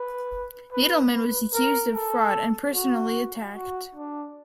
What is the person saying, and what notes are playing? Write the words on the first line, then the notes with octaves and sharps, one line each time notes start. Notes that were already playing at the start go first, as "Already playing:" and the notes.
Needleman was accused of fraud and personally attacked.
Already playing: B4
B4
B4
A#4
A4
F#4
F#4
D4